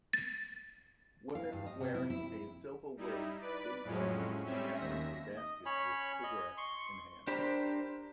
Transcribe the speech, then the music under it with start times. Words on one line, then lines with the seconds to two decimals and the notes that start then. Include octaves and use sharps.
Women wearing a silver wig big glasses carrying a basket with cigarette in hand.
0.13 A6
1.35 F5
1.52 G2
1.66 D#5
1.80 C3
1.95 E4
2.10 E4
2.97 G3 D#4 E4
3.40 B4 D5 D7
3.84 F2 A2 F#3 G#3 C#4
4.44 G3 C4 C#4 E5
4.76 D#2 E5 A#6
5.37 D#5
5.66 C#4 C#5 B5
6.24 D#5
6.57 C6 C#6
7.27 D4 G4 A#4 C5 B5